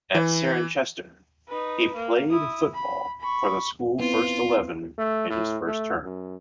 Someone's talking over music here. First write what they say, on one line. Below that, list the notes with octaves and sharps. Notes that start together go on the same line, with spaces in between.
At Cirencester, he played football for the school first eleven in his first term.
E3
D#4 B4
A#3
E4 D#6
B5
B5 C#6
B3 C4 E4 F4
A3
A2
A3
F#2